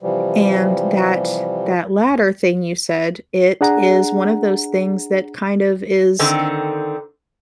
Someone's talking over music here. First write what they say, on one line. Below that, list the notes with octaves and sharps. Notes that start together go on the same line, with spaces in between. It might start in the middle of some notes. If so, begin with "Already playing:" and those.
And that that latter thing you said, it is one of those things that kind of is
C3 E3 F3 G3
D4 G#4 F#5 A#5
D3 D#3 C4